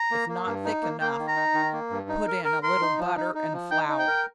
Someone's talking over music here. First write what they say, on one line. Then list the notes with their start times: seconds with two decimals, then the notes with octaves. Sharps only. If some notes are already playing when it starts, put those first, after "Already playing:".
If not thick enough, put in a little butter and flour.
Already playing: A#5
0.11 A#3
0.29 A#3
0.46 G2
0.64 D#4
0.82 A#3
1.00 A#3 G5
1.19 D#3
1.28 A#5
1.36 D#4
1.54 D#3
1.73 A#3
1.90 G2
2.09 D#4
2.27 A#4
2.44 A#4
2.63 A#4 C6
2.82 D#4
2.98 F3
3.17 D#4
3.35 D#4
3.53 F3
3.71 D#4 G5
3.89 D#4
3.99 G5
4.07 A#4